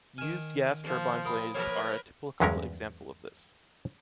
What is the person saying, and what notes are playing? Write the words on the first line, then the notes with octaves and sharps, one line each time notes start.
Used gas turbine blades are a typical example of this.
D#3 G#5 F6 E7
F3
F4 A#4 G5 B5 D#6
F3 A#3 A#4 B4 C#5
E2 G2 F#3 G#3 C#4 A#4